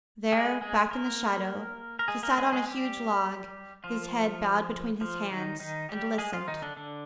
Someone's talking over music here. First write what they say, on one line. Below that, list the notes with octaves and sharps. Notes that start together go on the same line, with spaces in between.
There, back in the shadow, he sat on a huge log, his head bowed between his hands, and listened.
G#3 G#4
G#3 G#4
A#3 A#4
A#4
G#3 G#4
A#3 A#4
G#3 G#4
G#3 G#4
G3 G4
F3 F4
F3 F4
D#3 D#4
D#3 D#4
G3 G4
G#3 G#4
F3 F4
D#3 D#4
D3 D4
D3 D4